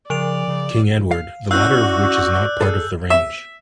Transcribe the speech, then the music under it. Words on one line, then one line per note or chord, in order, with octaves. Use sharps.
King Edward, the latter of which is not part of the range.
C#3 F3 D5 D7 F7
C#3
F5
C#4 E4 F#4 D5 F5 E6 F#6 G6
G#4 A4
E5